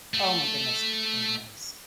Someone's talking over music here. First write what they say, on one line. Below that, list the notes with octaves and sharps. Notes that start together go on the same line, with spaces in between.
Oh my goodness, beignets.
A3 A4